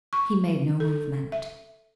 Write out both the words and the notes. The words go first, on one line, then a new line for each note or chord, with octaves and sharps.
He made no movement.
C#6
A4
E5